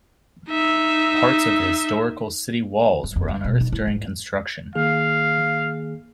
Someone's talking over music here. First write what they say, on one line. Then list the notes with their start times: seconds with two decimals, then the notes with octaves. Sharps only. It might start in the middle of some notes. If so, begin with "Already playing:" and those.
Parts of the historical city walls were unearthed during construction.
0.49 D#4 E5
3.04 F#2
3.16 F2
3.28 D3
3.44 B2
3.61 D#4
3.72 E4
3.87 G#2
4.75 D#3 A#3 G#4 F5